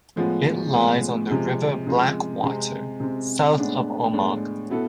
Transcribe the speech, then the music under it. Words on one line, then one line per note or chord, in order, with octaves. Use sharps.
It lies on the River Blackwater, south of Omagh.
A2 F3 G#3 B3
A2 F3 G#3 B3
C3 F3 G#3
C3 F3 G#3
C3 G#3 C4
C3 G#3 C4
A2 G#3 B3 D4
A2 G#3 B3 D4
B2 B3 E4 A4